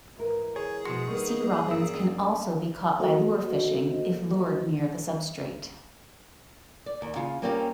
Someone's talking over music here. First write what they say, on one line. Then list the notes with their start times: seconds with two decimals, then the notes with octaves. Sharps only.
Sea robins can also be caught by lure fishing if lured near the substrate.
0.16 G#2 E3 A#4
0.56 G#4 C#5 G#5
0.85 B2 F3 G#3 F#4 C6
1.08 D#3 G3 A#3 B3 D#4 C#6
1.71 G2 G3 A#3 C#4 E6
2.99 G3 A#3 F#4 A4 C5 D#5
6.86 D5
7.02 D#2
7.16 C#3 F4
7.42 G3 A#3 C4 C#4 F4 G4